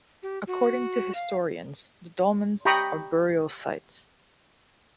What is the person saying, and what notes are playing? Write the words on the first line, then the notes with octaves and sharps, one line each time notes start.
According to historians, the dolmens are burial sites.
G4
F#4
F5
G4 G5 A#5 B5 C#6 D#6